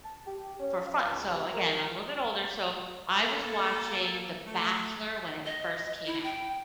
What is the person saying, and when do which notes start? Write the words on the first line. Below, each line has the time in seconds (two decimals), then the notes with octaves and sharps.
for fu so, again, I'm a little bit older so, I was watching The Bachelor when it first came out.
0.03 A5
0.26 G4
0.60 C#4
0.86 F5
1.06 C#2
1.35 C3
1.52 A#4
3.21 A#3 A4
4.46 A3
5.46 D#5
6.06 E4
6.24 G5